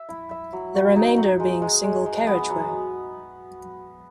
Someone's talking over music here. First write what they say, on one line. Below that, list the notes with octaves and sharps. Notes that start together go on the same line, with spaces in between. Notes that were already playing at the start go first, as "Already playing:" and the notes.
The remainder being single carriageway.
Already playing: E5
E4
E5
F#3
F#4
D#4
F#3
G#3
G#3
G#3
G#3
B3
F#3